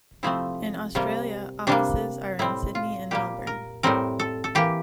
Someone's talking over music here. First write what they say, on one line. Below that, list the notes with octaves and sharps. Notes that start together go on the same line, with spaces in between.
In Australia offices are in Sydney and Melbourne.
C3 F3 A3 C4 E4
C3 G3 A#3
C3 G3 A#3 D4
A2 G3 C4 E4
F4
A#2 G3 A#3 G4
A#4
A2 G3 C4 A#4
A4
A4
E3 A#3 G4